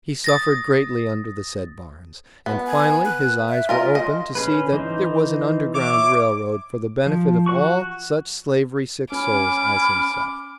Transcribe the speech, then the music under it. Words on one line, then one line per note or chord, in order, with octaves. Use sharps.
He suffered greatly under the said Barnes, and finally his eyes were open to see that there was an Underground Rail Road for the benefit of all such slavery-sick souls as himself.
D#6 A6 A#6
B3
G#5
F#6
E5
F4 A#4 D#5
D#5 C6
C#4 G#4 B4
E3 D#4 C5
C#5 E5 D6
F3
F#4 C#6
C#4 G#5 B5 D6 F6